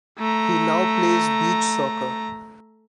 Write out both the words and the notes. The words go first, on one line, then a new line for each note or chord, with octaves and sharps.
He now plays beach soccer.
A3 A#5